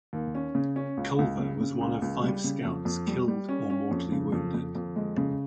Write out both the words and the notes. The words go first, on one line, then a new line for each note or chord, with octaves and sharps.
Culver was one of five scouts killed or mortally wounded.
D#2
C#4
C#3
C#4
C#2
C#2
C#3
C#3
C#2
C#2
G3
C#3
F2
F2
G3
G3
C#4
C#4
F2
C#3
F2
F2
F2
G#3
C#3